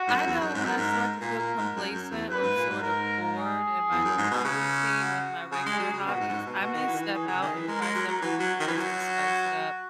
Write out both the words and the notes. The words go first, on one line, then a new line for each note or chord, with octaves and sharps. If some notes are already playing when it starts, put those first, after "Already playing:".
I know when I start to feel complacent or sort of bored in my normal routine with my regular hobbies, I may step out and try something new just to spice it up.
Already playing: F#4
G#2
F#2
E2
F#2
G#2
F#2 A#4
G#2
A#2 A#4
A#2
G#2
F#2
F#2
E2
F#2 B4
G#2
A#2
G#2
G#2 A#4
G#4
E2
F#2
G#2
B2
C#3
F#4
C#3 G#4
G#3
F#3
C#3
B2 F#4
A#2
G#2
F#2
G#2
B2
B2 F#4
D#3
E3
D#3
E3
E3 G#4
C#3
D#3
E3
G#3 A#4
G#3
F#3
F#3
E3 F#4
F#3
D#3
E3
F#3 F#4